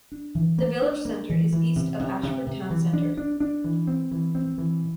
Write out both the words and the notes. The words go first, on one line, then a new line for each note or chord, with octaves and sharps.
The village centre is east of Ashford town centre.
D4
E3
A#3
D4
A#3
E3
E3
C3
C3
C3
C3
E3
D4
D4
D4
E3
C4
E3
C4
E3